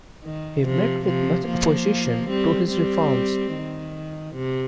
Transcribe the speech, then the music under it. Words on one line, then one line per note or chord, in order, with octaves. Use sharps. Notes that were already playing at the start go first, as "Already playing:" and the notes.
He met with much opposition to his reforms.
D#3
C3 F3
C3 F3
F3 A#3
G3 C4
G3 C4
D#3
C3